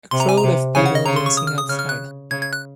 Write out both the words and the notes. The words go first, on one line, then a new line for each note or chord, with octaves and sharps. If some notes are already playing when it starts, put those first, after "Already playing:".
A crowd of people dancing outside.
C3 C6
A#5
G#5
A#5
C3
C#3 G#5
F#5
D#5
C#3 A#5
C6
C#6
D#6
F6
D#6
C#3 F6
F6
F#6
C#3 G#6
G#6
F#6